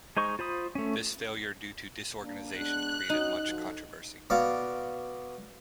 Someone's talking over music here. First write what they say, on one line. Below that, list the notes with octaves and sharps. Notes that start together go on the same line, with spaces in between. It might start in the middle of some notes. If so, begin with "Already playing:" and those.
This failure due to disorganization created much controversy.
G#3 D#4 C5 C#6
F4 C5 B5 D#6
A3 C#4
A#3 D4
G#3 B3 D4 F#6
C#4 D#4 F#4
F3 F#4 A4
B2 D5 F5